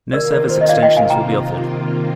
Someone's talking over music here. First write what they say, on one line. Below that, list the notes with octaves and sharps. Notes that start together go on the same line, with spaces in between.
No service extensions will be offered.
C3 D#3 A#3 F4 A#4 D5
A#4 D5
C5
D#5
D5 F5
D#5 G5
F5 G#5
G5 A#5